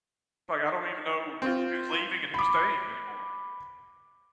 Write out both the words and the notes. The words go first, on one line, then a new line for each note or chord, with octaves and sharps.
like, I don't even know who's leaving and who's staying anymore.
C4 F4
B5 D6